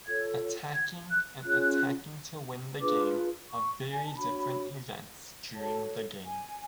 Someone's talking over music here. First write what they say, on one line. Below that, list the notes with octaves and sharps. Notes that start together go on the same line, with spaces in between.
Attacking and attacking to win the game are very different events during the game.
F4 A4 C#5 G#6
G#6
F#6
C#4 F4 G#4 C#5 F#6
D4 F4 G#4 B4 D6
C#6
G#5
A5
D4 F#4 C#5 B5
F#4 A4 C#5 A5
G#5